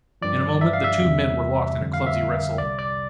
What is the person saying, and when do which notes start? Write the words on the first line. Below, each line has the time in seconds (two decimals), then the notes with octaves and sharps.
In a moment the two men were locked in a clumsy wrestle.
0.22 G2 F3 D5
0.61 E5
0.73 F5
0.84 E5
1.01 E2 C3 G3
1.80 F2 D3 G3
1.93 F5
2.06 E5
2.58 C2 C3 G3 D5
2.79 D5